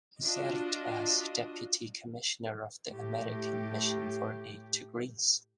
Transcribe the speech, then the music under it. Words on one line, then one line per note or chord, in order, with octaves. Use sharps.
He served as Deputy Commissioner of the American Mission for Aid to Greece.
D4 F4 F#4 D#5
A2 G4